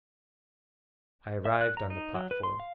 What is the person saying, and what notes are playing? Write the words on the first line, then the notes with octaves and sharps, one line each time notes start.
I arrived on the platform.
E5
F#6
A#5
D#4
F#3
B4
C6
F5